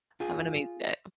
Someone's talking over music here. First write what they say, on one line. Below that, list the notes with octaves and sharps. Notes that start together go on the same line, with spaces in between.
Have an amazing day.
F4 G#4